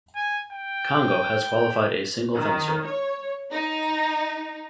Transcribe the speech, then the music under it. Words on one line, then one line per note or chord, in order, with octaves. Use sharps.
Congo has qualified a single fencer.
G#5
G5
D#3
C#5
D#4